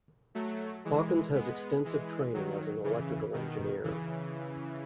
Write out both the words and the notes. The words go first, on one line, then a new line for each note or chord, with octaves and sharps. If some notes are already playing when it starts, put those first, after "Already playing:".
Hawkins has extensive training as an electrical engineer.
F#3 A3
E3 G#3
G#3 B3
E3 G#3
D#3 F#3
C#3 E3
B2 D#3
C#3 E3